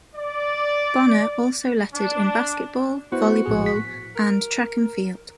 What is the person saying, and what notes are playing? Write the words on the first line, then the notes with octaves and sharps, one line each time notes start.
Bonner also lettered in basketball, volleyball, and track and field.
D5
D4
B3 E4 F#4 C5
A#1 A2 G#4
B6
A#4